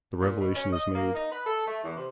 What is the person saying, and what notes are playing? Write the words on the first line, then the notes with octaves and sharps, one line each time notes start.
The revelation is made.
A#2
B2
C#4
D#5
A#3
D#4
B4
A4
A3
E2
C3